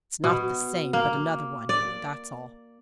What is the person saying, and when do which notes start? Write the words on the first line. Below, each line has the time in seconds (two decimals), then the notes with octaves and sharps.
"It's not the same but another one; that's all."
0.24 B2
0.93 A#3
1.69 D5